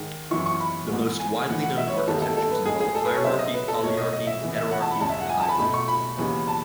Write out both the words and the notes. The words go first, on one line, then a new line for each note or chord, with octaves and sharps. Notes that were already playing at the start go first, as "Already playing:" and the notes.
The most widely known architectures involve hierarchy, polyarchy, hetaerarchy and hybrid.
Already playing: G#2 D#3 G#3
F#2 E3 B3 E4 C#6
C#6
B5
G#2 E3 G#3 B3
G#5
A2 E3 A3 F#5
F#5
E5
C#5
B4
D#2 D#3 G#3 B3 E4 A4
A4
A4
B4
A2 G#3 D#4 G#4
G#4
A4
B4
C#5
C#3 F#3 B3 D#4 E5
D#5
B4
A4
B2 A3 D#4 C#5
D#5
D#5
E5
C#3 E3 B3
E5
F#5
A5
B5
E2 C#3 G#3 D#4 A5
E5
F#5
G#5
A5
B5
B2 A3 D#4 B5
C#6
B5
D#2 C#3 E3 B3 D#4
A5